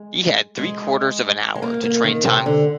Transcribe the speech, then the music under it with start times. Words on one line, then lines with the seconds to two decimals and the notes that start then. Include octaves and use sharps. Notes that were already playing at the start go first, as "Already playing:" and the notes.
He had three-quarters of an hour to train-time.
Already playing: G#3
0.57 G#3
1.55 G#3
1.62 A#3
1.84 A#3
2.04 D#3
2.25 C3
2.46 D3